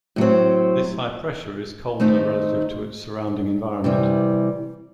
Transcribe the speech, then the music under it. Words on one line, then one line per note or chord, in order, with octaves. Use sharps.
This high pressure is colder relative to its surrounding environment.
A2 F#3 C4
D#3 A3 C4 D#4
C3 E3 G3